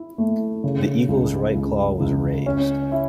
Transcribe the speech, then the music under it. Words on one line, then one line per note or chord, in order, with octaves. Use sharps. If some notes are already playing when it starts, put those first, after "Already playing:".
The eagle's right claw was raised.
Already playing: E4
A3
C#3
C#2
C#2
C#2
C#4
E4